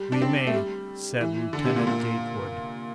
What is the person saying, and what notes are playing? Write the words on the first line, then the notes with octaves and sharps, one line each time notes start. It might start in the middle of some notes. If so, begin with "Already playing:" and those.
"We may," said Lieutenant Gatewood.
Already playing: G3
D4
C4
A3
G3
E3
D3
C3
A#2
A#2